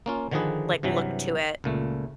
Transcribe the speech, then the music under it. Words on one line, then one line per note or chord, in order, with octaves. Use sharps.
like, look to it,
A#3 C#4 F4
D3 D#3 F3 D4 G#4 B4
G2 C3 E3 F#3
C#2 A#2 A3